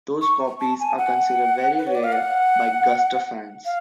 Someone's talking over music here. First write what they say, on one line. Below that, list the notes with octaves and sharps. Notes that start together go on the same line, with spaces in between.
Those copies are considered very rare by Guster fans.
C#6
A5
G#5
F#5
B4
C#5
D5
F5
F#5
F5